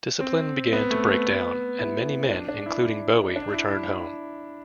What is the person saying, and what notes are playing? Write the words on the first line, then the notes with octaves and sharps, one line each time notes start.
Discipline began to break down, and many men, including Bowie, returned home.
C4
B3
A3
B3
E4
D4
D4
E4
D4
E4
E4